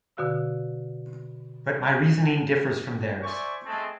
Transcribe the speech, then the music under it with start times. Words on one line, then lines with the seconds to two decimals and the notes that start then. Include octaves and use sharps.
But my reasoning differs from theirs.
0.17 B2 D3 F#4 F5 E6
3.23 C5 D5 E5 G#5 C#6
3.66 G#3 A3 C4 G#4 A5